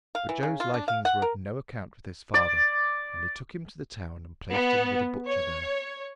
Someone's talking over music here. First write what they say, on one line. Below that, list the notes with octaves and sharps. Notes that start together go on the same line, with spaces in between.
But Joe's likings were of no account with his father, and he took him to the town and placed him with a butcher there.
F5
E3
C#3
F4
D4
F5
F#5
A#4
D5
B3
C#5